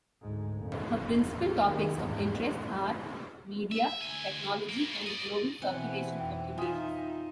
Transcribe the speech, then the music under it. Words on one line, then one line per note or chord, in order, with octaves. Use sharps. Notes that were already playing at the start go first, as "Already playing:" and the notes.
Her principal topics of interest are media, technology, and the global circulation of images.
D2 G#2
A#1 F2
F#1
E2 A2
D#3
E2 G#2
E5
D2 G#5
A#3 B3
A4 C#5
D5 D#5
B2 E3 C4 F#5 G#5
F2 G5
D#4 F4 E5 G#5 D#6